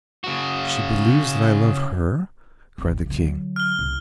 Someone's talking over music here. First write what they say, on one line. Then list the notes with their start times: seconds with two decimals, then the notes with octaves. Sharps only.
"She believes that I love her!" cried the King.
0.24 C#3 F#4
2.78 A1 C4
3.06 D3 F#3
3.56 F6 G7
3.79 C2